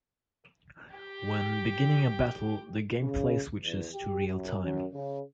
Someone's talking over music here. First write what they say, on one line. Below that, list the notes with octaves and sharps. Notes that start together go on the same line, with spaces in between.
When beginning a battle the gameplay switches to real time.
G4 G5
C#3
E2
G4
F#2
F#2
C#3